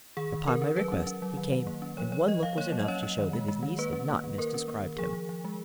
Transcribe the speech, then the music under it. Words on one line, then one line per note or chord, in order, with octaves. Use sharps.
Upon my request he came, and one look was enough to show that his niece had not misdescribed him.
D#3 G#4
D#3
D#3 A#4
C#4
F#3 B4
C#4
C#4
F#3
D#3
D#3
A#3
C#4
F3 C#5
F3 C#5
F3 D#5
F3 F5
A#3 C#5
F#3
D#5
C#4 C#5
C#4
D#3
G#3
G#3
D#3
A#3 B4
C#4
A#3
D#3
A#3 A#4
C#4
A#3
D#3
F3 G#4
F3
F3
G#3